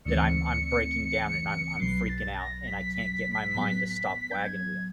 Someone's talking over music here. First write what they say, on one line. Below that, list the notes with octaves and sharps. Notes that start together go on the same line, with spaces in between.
that I'm I'm breaking down and I'm I'm freaking out and I can't get my mind to stop wagon-wheeling.
D2 C#3 E3 A3 C4 C#7
B1 B2 F#3 C7
A6
A#6
B6
A2 F#3 B3
G6
G#6